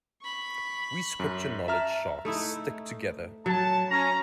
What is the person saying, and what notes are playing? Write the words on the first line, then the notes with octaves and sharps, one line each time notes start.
We Scripture-knowledge sharks stick together.
B5 C#6
F#2
E5 A5 A#5 F6
A3 D#4 E4
F#3 A5
C#4 A#5